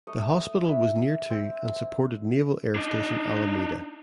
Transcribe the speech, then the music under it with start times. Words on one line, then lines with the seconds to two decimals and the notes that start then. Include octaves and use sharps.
The hospital was near to and supported Naval Air Station Alameda.
0.07 A3 C#5 D#5
0.62 D4 E4 E5
1.30 C4
2.75 D4 D#4